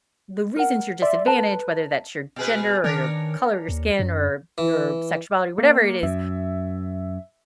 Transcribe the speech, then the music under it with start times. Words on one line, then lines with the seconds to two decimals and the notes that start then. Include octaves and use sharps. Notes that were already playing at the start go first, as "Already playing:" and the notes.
the reasons you're disadvantaged, whether that's your gender or your color of your skin or your sexuality, whatever it is,
0.56 A#4 F#5
1.02 D5 E5 C6
1.26 A4 B4 A5 A#5
2.36 B2 G#4 B4
2.84 D#3 D4 A#4 C#5
3.69 D#2
3.99 F#2
4.58 E3
5.58 A#3
6.03 F#2 E5